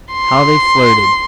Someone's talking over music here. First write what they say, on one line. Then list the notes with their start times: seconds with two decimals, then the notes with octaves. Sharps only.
How they flirted!
0.13 C6